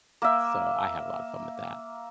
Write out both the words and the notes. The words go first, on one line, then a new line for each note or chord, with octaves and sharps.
so I have a lotta fun with that.
A#3 E5